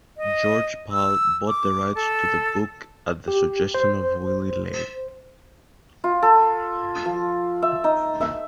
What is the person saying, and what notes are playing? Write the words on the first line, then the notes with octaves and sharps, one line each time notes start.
George Pal bought the rights to the book at the suggestion of Willy Ley.
D#5
E6
D6
A4
G4
C5
F4
A4
F3
E5
D#4
E5